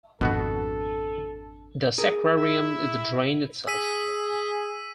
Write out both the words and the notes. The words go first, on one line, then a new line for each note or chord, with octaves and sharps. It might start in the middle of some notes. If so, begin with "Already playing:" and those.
The sacrarium is the drain itself.
G#1 F2 B2 B3 D4 F#4 A4
G#4 A#4
E4 E5
G#4 E6 B6 D#7